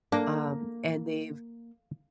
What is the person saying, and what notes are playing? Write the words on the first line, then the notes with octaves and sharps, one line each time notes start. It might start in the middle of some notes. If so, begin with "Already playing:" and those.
um, and they've
A#3 D4